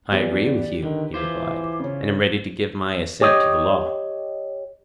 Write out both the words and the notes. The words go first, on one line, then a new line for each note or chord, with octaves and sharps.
I agree with you, he replied, and am ready to give my assent to the law.
E2 E3 B3 G4 B4 D5
D3 D#3
E3 E4 F4 C5 D6
C#3 C#4
G4 C#5 D#5